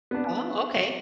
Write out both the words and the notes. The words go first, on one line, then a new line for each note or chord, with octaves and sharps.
Oh, okay.
B3 D4